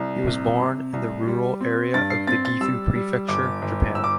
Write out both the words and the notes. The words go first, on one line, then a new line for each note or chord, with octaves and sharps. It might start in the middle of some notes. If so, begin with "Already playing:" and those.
He was born in the rural area of the Gifu Prefecture, Japan.
Already playing: C2
C3
C3
C2
G3
C4
G2 A6
C7
C4 A6
A6
G3 E6
G3
G1 D6
G1
E6
D6